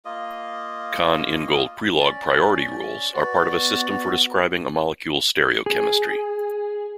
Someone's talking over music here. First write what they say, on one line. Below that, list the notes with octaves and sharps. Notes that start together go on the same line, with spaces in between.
Cahn-Ingold-Prelog priority rules are part of a system for describing a molecule's stereochemistry.
A#3 F4 D#5
C#4 D5
F#4 B4 D5
B3
G#4